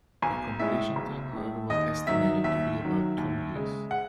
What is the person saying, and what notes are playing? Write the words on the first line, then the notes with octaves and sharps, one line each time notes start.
The completion time however was estimated to be about two years.
B1 G#5
A2 G#3 E5
B1
A2 G#3
D#2 D#5
D#3 F#3 E5
D#2 E5
D#3 F#3
D#2
C#3 G#3
F#5